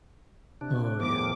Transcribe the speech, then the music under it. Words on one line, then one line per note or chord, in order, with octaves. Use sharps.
Oh, yeah.
C3 D4
E2 A2 D#3 F3 D6